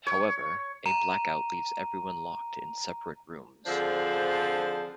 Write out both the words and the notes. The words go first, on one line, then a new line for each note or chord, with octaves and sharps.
However, a blackout leaves everyone locked in separate rooms.
C#5
A#5 D#7
D3 F3 C4 D4 G#4 C5